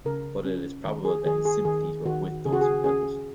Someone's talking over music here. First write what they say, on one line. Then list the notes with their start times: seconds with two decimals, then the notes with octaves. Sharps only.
But it is probable that his sympathies were with those who held it.
0.05 C#3 A#4
0.45 C#4
0.85 D#3
1.05 G#4
1.26 D#3 G#4
1.45 G#4
1.65 D#3 G#4
2.05 D#3 F#4
2.45 C#3 G#4
2.53 F#4
2.61 G#4
2.84 C#4 G#4